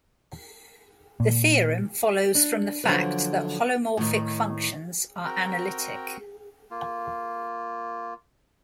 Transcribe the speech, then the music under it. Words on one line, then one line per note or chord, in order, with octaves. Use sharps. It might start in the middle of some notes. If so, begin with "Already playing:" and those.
The theorem follows from the fact that holomorphic functions are analytic.
A#2
D4
D3 F3 F#3 B4
A2 D#3
C4 F#4 A#4 G5 A#5
A#3 F4